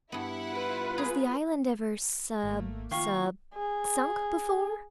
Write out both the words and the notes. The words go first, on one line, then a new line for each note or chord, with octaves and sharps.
"Was the island ever sub-sub-sunk before?"
G2 B3 E4 F#5
F4 B4
G#4 A#5
G#1 A3 A#3
D#3 F3 A#3 F5 G5 C#6
G#4